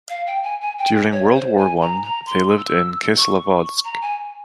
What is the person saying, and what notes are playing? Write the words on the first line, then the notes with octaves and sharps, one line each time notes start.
During World War One they lived in Kislovodsk.
F5
G5
G#5
G#5
G5
C#5
C5
G#5
A#5
A#5
C6
E6
C#6
A#5
G#5